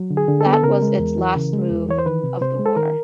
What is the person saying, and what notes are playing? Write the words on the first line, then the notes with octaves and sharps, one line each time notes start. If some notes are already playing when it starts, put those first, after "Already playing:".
That was its last move of the war.
Already playing: F#3
D3
G#4
D3
A4
B3
A4
C#3 A#4
G#3
E2
E3
C#3
G#3
E2
E3 C#5
C5
D#3 B4
C3
C3 C5
G#3
A4
D#3 A#4